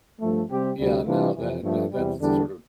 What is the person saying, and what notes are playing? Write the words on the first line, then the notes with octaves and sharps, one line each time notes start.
Yeah, no, tha and tha that's sort of
G2 F3 A3
C3 G3 C4 G4
D2 C3 G3
C3 E3 G3 D4 F4
F2 C3 E3
G2 F3 A3
E2 C3 G3
E2 D3 G3 D4